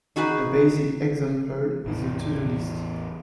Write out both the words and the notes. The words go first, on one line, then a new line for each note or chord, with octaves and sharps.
A basic example is the to do list.
D#4 F#4 G#4 B4
A1 E2 E3